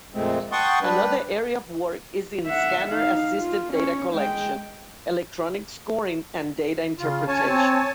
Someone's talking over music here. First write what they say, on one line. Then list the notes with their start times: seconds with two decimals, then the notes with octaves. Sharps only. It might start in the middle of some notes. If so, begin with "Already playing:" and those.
Another area of work is in scanner-assisted data collection, electronic scoring, and data interpretation.
0.14 F2 A#2 G#3 A3 C4
0.52 F#5 G5 A5 C6 C#6 D#6
0.82 G3 D4 B4
2.46 E5 F#5
2.88 D#4 F5
3.39 F4
3.73 C#4 C#5
4.14 G#3 G5
6.99 C#3 F4
7.28 C#4 C#5 G#5 A5
7.48 C4